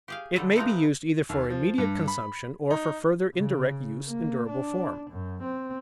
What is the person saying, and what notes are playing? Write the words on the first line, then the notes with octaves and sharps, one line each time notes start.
It may be used either for immediate consumption or for further indirect use in durable form.
G4 G#4 F5
A2 D3 G3 A4
E3 F3 G#3 C4 D#4 E4
D#2
F3
G2
B5
D#4
C#3
A#3
D4
F#2
C4